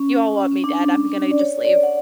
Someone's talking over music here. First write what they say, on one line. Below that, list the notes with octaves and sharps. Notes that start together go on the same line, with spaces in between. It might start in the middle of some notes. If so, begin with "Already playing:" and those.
you all want me dead, I'm gonna just leave."
Already playing: C#4
D4
D5
C#5
D5
F#5